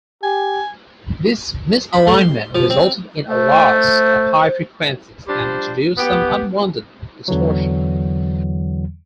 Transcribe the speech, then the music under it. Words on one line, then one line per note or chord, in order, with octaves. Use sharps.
This misalignment resulted in a loss of high frequencies and introduced some unwanted distortion.
G4 G#5
B5
A3
C6
F3
C4
A3 C5
F3 G3 D4 C5
B3 G4
E2 D3 E3 F#3